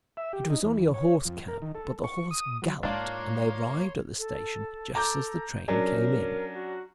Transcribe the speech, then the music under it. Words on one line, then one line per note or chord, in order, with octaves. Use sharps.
It was only a horse-cab, but the horse galloped, and they arrived at the station just as the train came in.
E5
G4
D#4
E2
C#5
F2
A#4
D#3
A4
C#6
D#6
F#3
G#2 G#3 A#3 D4 F4 C#5 C6
A4
A4 A#5 D6 G6
F#3 C#4 D4 A#4
F#4